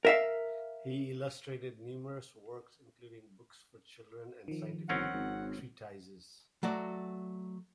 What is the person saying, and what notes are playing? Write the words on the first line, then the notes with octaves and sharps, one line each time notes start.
He illustrated numerous works including books for children and scientific treatises.
A#4 E5 F5
D#3 F3
G1 C4 C#4 A#4 F#5
G#1
F#3 A3 F#4 D5